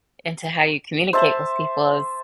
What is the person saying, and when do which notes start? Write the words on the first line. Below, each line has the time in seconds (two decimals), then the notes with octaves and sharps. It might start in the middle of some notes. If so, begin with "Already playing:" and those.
into how you communicate with people is
1.13 C5 E5 A5